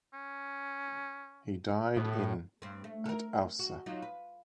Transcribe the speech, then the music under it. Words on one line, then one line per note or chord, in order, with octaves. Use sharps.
He died in at Aussee.
C#4
A2 B3
G2 C4
A3
A4 A#4
F#4
F#3 D#4 F4
B4